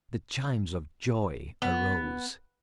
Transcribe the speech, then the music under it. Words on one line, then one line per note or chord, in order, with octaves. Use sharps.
The chimes of joy arose.
B3